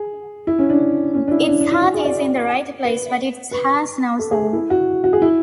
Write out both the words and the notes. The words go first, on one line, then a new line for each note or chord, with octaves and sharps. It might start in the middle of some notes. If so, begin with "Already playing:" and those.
Its heart is in the right place, but it has no soul.
Already playing: G#4
E4
C#4
D4
C#4
D4
E4
D4
D4
E4
F#4
G#4
D5
B4
B4
A4
G#4
E4
F#4
F#4
G#4
E4